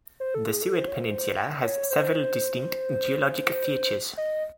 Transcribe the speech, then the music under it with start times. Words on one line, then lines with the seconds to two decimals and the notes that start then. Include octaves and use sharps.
The Seward Peninsula has several distinct geologic features.
0.20 C5
0.34 A4
0.48 G#4
0.63 A4
0.77 C5
0.88 C#5
0.99 C5
1.62 C#5
1.91 C5
4.17 D#5